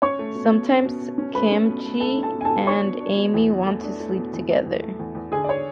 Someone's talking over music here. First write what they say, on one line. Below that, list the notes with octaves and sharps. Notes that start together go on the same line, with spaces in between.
Sometimes, Kim Chi and Amy want to sleep together.
C#4 C#5 C#6
A3
B2
B2
C#4
B2
B2
C#4
A3 B4 B5
C#4
B2
A3
A3 A4 A5
C#4
A4 A5
B2
G#5
A4 A5
B2
D4 C#5 C#6
B2
D4
B2
E2
B2
A3
D4
A3
B2
E2
E2
E2
A3
E2
E2
D3 G#4 G#5
D5
C#5